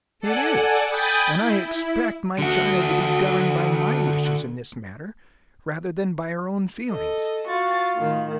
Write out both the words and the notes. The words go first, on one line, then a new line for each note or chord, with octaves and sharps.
"It is; and I expect my child to be governed by my wishes in this matter rather than by her own feelings."
A4 D5 F#5 G#5 G#6
G5 G#5 B5 D#6 G6 A6
E4
D3 F#4
A4 D#5
F4 F#4 C#6 A6
A2 D#3